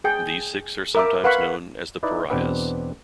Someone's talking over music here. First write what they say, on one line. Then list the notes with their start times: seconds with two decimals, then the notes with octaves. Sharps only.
These six are sometimes known as the pariahs.
0.04 G#4 G5
0.95 A#4 E5 D6
1.24 B4 F5 F#5 B5 C#6
2.03 D#4 E4 B4 D5
2.30 E2 B2 C4 D4 B4 F#5